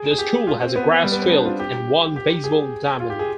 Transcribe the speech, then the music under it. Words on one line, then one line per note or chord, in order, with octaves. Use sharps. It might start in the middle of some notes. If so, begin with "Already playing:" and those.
The school has a grass field and one baseball diamond.
Already playing: G#4
G#4
G4
F4
C4
B3
G3
B3
C4
D4
F4
G4
G4
G#4
F4
G4
G#4